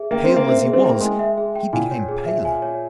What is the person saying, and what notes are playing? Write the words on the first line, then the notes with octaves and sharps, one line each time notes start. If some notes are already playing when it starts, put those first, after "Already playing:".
Pale as he was, he became paler.
Already playing: G#4 E5
A#3 G5
C4 C6
A#3
C4 E5
A#3 G#4
C4
A#3 G5
G#3 C6
E5
G#4
G5
A#2 G#5
C#5
G#4
E5
G#5
C#5